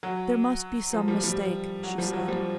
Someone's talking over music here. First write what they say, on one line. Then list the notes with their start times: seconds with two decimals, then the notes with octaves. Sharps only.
"There must be some mistake," she said.
0.03 F#3
0.93 F3
1.08 F3 G3
1.23 F3 G3
1.83 F#3
1.98 F3 G3
2.13 F#3
2.28 F3 G3